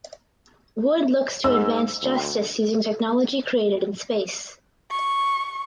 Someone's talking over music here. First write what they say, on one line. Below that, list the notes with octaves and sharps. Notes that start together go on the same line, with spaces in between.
Wood looks to advance justice using technology created in space.
G#2 E6
D2
C#6